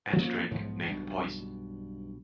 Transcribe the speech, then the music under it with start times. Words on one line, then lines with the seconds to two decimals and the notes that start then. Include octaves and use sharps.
And to drink? Name the poison.
0.13 F3 A#3 C#4
0.51 B1 G#2 F3 B3
0.87 B1 G2 B2